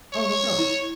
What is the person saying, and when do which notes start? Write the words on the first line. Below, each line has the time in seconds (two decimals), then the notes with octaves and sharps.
Oh, no problem.
0.13 C#5
0.59 E4 A#5